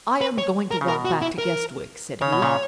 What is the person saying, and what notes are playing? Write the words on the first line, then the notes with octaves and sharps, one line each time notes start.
"I am going to walk back to Guestwick," said he.
B4
C#5
A#4
C#3
B2 A#4
F#4
E4
A#4
C#3 C#5
B2
A#2 C#3